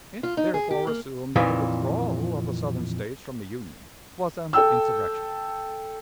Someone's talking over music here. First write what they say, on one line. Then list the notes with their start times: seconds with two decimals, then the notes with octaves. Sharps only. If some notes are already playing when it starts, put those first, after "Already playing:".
It, therefore, assumed that the withdrawal of the Southern States from the Union was an insurrection.
0.23 F4
0.37 D#4
0.54 G#4
0.71 G4
0.87 A#3
1.36 F2 A#2 D#3 E3
4.53 A4 G5 E6